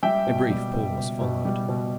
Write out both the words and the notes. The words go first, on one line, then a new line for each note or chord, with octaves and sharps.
A brief pause followed.
G3 E5 G5
B2
G3
B2
B2
B2
G3
B2